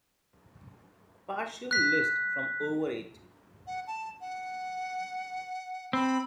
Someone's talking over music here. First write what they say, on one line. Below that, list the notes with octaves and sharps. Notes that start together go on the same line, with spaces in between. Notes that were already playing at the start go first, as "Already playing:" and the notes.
Partial list from over eighty.
F#6 B6
F#5
A5
F#5
C4 B5